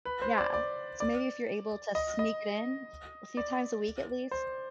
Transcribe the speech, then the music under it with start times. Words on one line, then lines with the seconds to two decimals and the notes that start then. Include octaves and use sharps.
yeah, so maybe if you're able to sneak it in a few times a week at least.
0.05 B4
0.22 C5
0.38 D5
0.54 D5
1.00 D5
1.95 D#5
2.19 D#5
3.37 D5
4.31 C5